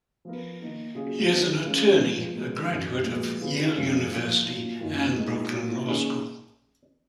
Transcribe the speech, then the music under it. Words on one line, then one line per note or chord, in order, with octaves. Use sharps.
He is an attorney, a graduate of Yale University and Brooklyn Law School.
F3 B3 F4 A#4
D#3 A#3 D#4 A#4
C#3 F#3 A#3 F4 G#4
F#3 B3 D#4 G#4
C#3 G#3 C#4 F4 A#4
F3 G#3 B3 F4
B2 G#3 B3 F#4 A#4
F#2 D#3 F#3
A#2 F3 G#3 B3 F#4
C#3 F#3 B3 F4 G#4
F#2 C#3 F3 G#3
F3 A#3 F4
F#3 A#3 F4
F#2 D#3 A#3 F4 A#4
A#2 G#3 D#4
F#3 A#3 F4 A#4
D#3 A#3 C#4 G#4